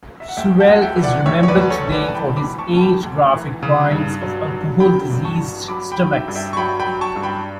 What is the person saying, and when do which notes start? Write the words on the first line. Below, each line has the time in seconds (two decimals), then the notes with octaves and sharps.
Sewell is remembered today for his eight graphic drawings of alcohol diseased stomachs.
0.20 E5
0.29 F#5
0.37 D2 E5 G5
0.60 F#5 A5
0.68 D2
0.76 F#5
0.82 E5 G5
0.96 E3
1.03 D5 F#5
1.26 D2 C#5 E5
1.43 C#5
1.48 B4 D5
1.55 D2
1.70 A4 C#5
1.85 E3
1.92 B4 D5
2.08 A5
2.14 E3 G5 B5
2.36 B5 D6
2.44 D2
2.59 A5 C#6
2.73 D2 A5
2.80 G5 B5
3.03 D2
3.33 E3
3.63 C#3
3.92 G2
4.21 F#3
4.51 F#3
4.80 F#3 G5 B5
5.10 G2
5.25 A5 C#6
5.40 F#3
5.68 F#3 B5 D6
5.92 G5 B5
5.99 F#3
6.13 E5 G5
6.28 G2
6.35 E5 G5
6.53 C#6
6.57 F#3 G5 B5
6.80 G5 B5
6.87 F#3
7.01 A5 C#6
7.16 G2
7.23 G5 B5